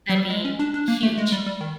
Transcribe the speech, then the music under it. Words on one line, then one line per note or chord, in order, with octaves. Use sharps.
That'd be huge.
F#3
G3
G#3
C#4
D4
D4
A#3
A3
G#3
G3
G3
D#3